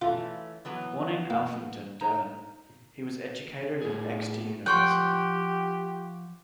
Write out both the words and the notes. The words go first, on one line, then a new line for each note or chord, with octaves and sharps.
Born in Alphington, Devon, he was educated at Exeter University.
E3 A3 C#4 F4
E3 F#3 B3
A#3
D#4 A#5
A2 G#4
F3 G4 F#5 G5 C6 C#6 F#6